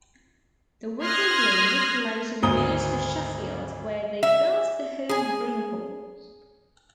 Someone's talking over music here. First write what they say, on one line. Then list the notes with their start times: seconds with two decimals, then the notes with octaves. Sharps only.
The Wickersleys later removed to Sheffield, where they built the home Broom Hall.
1.04 C6 D#6 F6 F#6 G#6 A#6
2.43 G#1 D2 A#5 D#6 G7
4.23 E5
5.09 G#4 G#5